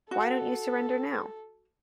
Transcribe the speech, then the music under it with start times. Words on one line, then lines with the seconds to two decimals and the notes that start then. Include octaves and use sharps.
Why don't you surrender now?
0.11 F#4 A4